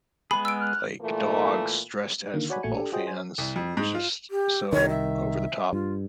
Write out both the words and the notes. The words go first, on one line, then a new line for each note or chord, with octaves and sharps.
like, dogs dressed as football fans, it was just so over the top.
G#3 B3 G#4 B5
E6 D7
F6 F#6
A#2 E3 A3 A#3
D3 D#3 A#3
F#4 C#5 D5 F#5 G#5 B5
A1 A#2 A3 F#4 G#5 C#7
D4 G4 A4
F4 F#4 G#4 C5 D#5 G5
C5 G#5
C2
F2
G#2
F4
G4
C2 D#3 C#5
E5
G2 F4